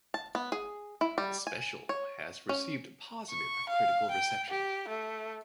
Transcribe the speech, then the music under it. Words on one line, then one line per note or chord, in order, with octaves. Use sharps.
The special has received positive critical reception.
A5
B3
G#4
E4
G3
G#5
C#5
C#4
C#6
F5
G5
G4
A3